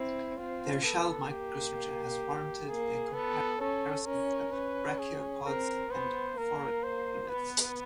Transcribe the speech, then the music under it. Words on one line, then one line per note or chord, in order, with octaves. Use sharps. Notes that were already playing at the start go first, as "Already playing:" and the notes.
Their shell microstructure has warranted their comparison with the brachiopods and phoronids.
Already playing: C4 E4
C4 F4
B3 A4
A#3 G4
A#3 G#4
B3 A4
C#4 A4
C#4 A#4
C#4 B4
G#4
C4 A#4
B3 C5
A#3 A#4
C5
B3 B4